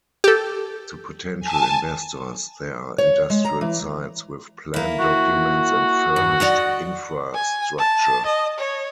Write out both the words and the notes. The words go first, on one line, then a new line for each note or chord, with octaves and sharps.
To potential investors there are industrial sites, with plan documents and furnished infrastructure.
G4 A4
G#5 A5
C#5
G#3
A#5
E3
A#3 E4
F#4
G2
D5 D#5 F#5
G#5
A5
D#5
C#5